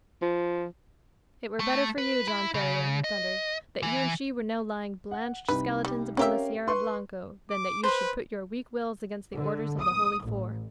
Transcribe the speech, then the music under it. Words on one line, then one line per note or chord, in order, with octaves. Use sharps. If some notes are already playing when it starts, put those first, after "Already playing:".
"It were better for you, John Ferrier," he thundered, "that you and she were now lying blanched skeletons upon the Sierra Blanco, than that you should put your weak wills against the orders of the Holy Four!"
F3
A3
B4
E4
C#3
D#5
E3
F#5
C2 D#4 B4
G3
C4 C#4 G4 A#4 E5 F5
B4 C6 C#6
D6
B4 C5
D3
D#6
A1